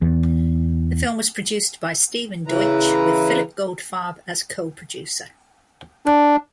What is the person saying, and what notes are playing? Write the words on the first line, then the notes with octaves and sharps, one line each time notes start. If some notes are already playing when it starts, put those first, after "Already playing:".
The film was produced by Stephen Deutsch, with Phillip Goldfarb as co-producer.
E2
C#3 E3 E4 B4 A#5
D4